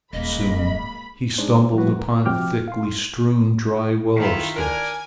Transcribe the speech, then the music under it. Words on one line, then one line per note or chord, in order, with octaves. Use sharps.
Soon he stumbled upon thickly strewn dry willow sticks.
D#1 G#3 A#3 D#5 B5
G#3 D4 D#4 C5
F3 G3 E4 F#4 B4
A#4
C3 F3 F#4 G5 D6 F6
F5 C6
D#3 E4 F4
D4 A#4 G#5 G#6